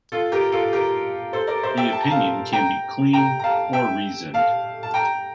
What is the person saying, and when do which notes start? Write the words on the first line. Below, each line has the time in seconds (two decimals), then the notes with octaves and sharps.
The opinion can be "clean" or "reasoned".
0.12 F4 A4
0.32 G4 A#4
0.52 F4 A4
0.73 G4 A#4
1.33 A4 C5
1.47 A#4 D5
1.63 C5 E5
1.77 E5 G5
1.92 A5
2.02 A#5
2.11 F5 A5
2.53 G5 A#5
3.13 G5 A#5
3.39 A#5
3.44 F5 A5
3.73 E5 G5
4.34 F5 A5
4.83 A5
4.94 G5 A#5